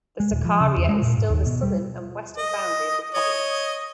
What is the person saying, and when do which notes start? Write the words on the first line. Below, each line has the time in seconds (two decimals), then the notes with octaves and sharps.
The Sakarya is still the southern and western boundary of the province.
0.20 G#3
0.31 D#1
0.45 F3
0.60 C#3
0.77 E2
0.89 G#3
1.02 A#2
1.17 G#2
1.30 D#2
1.46 B2
1.63 G3
2.38 D#5
3.14 C#5 D#5